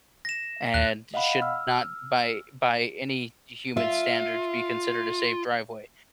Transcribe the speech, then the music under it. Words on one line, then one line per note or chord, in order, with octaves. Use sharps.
and should not by by any human standards be considered a safe driveway,
A#6 E7
D#2 F#6
D#5 F5 F#5 B5
E6 F6
F4 E5